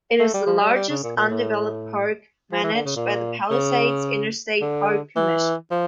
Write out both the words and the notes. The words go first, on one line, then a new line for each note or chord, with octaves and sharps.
It is the largest undeveloped park managed by the Palisades Interstate Park Commission.
A3
G3
F3
G3
G3
C#3
A#2
A#2
A2
F3
E3
D3
C#3
A#2
C#3
D3
E3
F3